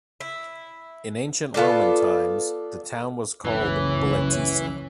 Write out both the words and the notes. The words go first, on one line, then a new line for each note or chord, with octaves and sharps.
In ancient Roman times, the town was called "Bletisa".
E4
B3 F4 A4 D5
F#1 C#2 E3 C#4